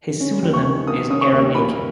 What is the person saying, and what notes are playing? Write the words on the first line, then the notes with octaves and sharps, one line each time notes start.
His pseudonym is Aaron Aachen.
C#4
D#2
C#6
D#3
A#3 D#6
C#4 D#6
C#6
D#2
A#3 B5